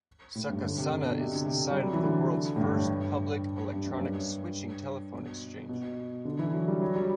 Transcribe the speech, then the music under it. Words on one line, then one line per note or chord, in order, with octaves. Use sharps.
Succasunna is the site of the world's first public electronic switching telephone exchange.
A2
G2
D3
C3
C3
B2
C3
D3
C3
G3
F#3
E3
D3
A2
G2
G2
G2
F#2
G2
B2
B2
D3
E3
F#3
G3
F#3
G3